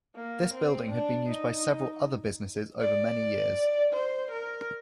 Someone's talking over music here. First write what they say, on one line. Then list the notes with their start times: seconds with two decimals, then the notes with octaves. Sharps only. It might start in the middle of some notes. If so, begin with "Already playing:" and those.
This building had been used for several other businesses over many years.
0.16 A#3
0.53 C4
0.91 D4
1.29 D#4
2.80 D5
3.93 C5
4.31 A#4